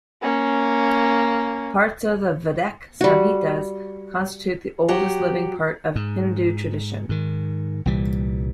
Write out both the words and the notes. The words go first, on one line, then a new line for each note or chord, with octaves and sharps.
Parts of "Vedic Samhitas" constitute the oldest living part of Hindu tradition.
A#3 C#4
G3 F#4
F#3 F#4 G4
G#2
G#2 D#3
C2 A#2 E3 G3